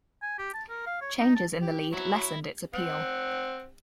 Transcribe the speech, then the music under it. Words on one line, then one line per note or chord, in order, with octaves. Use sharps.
Changes in the lead lessened its appeal.
G#5
G4
A5
A#4
F5
C#5
D#4
A5
G4
F#3 E4 C#5
C4 F#5